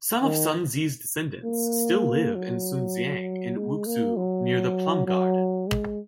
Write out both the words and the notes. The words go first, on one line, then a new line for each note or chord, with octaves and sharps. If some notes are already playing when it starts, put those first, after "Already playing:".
Some of Sunzi's descendants still live in Sunxiang in Wuxi near the Plum Garden.
D#3
A#3
F#3
G#3
A#3
F#3
F#3
G#3